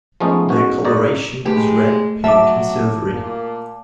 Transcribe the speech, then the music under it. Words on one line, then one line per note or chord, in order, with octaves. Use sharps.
Their coloration is red, pink, and silvery.
F3 G#3 A3 B3 C#4 D#4
G#2 B2 C#4 F#4
G#2 D#4 C#5 D5 A#5
G#3 A3 G4 B4
F#3 E5 A5 D6
A#2